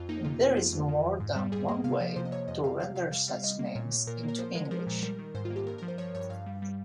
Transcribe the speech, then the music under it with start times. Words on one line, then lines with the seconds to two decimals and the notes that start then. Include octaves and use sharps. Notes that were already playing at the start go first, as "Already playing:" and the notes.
There is more than one way to render such names into English.
Already playing: F2 F4
0.09 A#3 D#4
0.25 C3 F4
0.41 F2
0.57 F2 F4
0.73 F2
0.88 D#3
1.04 F2
1.20 G#2
1.36 G3
1.52 G3 G#4
1.68 A#3 D#5
1.84 C3 F5
2.00 F3 D#5
2.16 C3 C5
2.25 D#5
2.31 C3 C#5
2.47 F2 D#5
2.64 C3 F5
2.80 C3 F5
2.95 C3 F5
3.11 G3 F5
3.28 G3
3.33 F5
3.44 G3 D#5
3.59 A#3
3.66 D#5
3.75 A#2 C#5
3.91 A#3
4.07 A#2 A#4
4.18 A#4
4.23 A#3
4.28 A#4
4.39 F3 C5
4.55 G#3 A#4
4.71 F3 A#4
4.87 A#2
5.03 G3 A#4
5.19 D#3
5.35 G#2 C5
5.45 F4
5.50 A#3
5.56 G4
5.67 G2 A#4
5.78 F3 A#4
5.88 C5
5.98 F3 C#5
6.15 G2 C#5
6.30 G2 F5
6.46 G3
6.62 G3